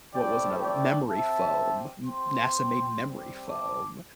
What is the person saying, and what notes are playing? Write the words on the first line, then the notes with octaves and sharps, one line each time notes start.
what was another one? Memory foam, m NASA made memory foam.
A3 C4 E4 G4 D5 G5
D5 G5
C4 G4 E5 A5
C4 G4 G5 C6
G3 C4 G4
A5 D6